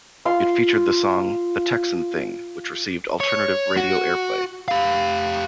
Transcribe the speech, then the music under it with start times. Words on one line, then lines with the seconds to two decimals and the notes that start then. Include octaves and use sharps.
It featured the song, "The Texan Thing", which received alternative radio airplay.
0.25 F4 F5 C6
3.20 C#5
3.77 F#4
4.68 G4 F5